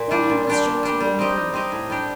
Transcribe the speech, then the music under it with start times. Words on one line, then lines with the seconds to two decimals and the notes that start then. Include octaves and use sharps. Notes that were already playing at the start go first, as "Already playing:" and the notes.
Then he went straight to the emperor.
Already playing: A#2
0.11 G3 D4
0.29 A#2
0.47 G3 D4 G4
0.65 A#2
0.83 G3 D4 G4
1.01 G3
1.19 C4 D#4 G4
1.36 G3
1.54 C4 D#4 G4
1.72 A2
1.90 G3 D4 G4